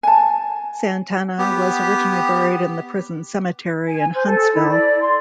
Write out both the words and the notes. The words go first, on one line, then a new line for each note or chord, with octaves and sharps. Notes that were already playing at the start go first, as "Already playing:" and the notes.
Satanta was originally buried in the prison cemetery in Huntsville.
G#5 A5
B3 G4
G#5
C5
A4
E4
D5
C6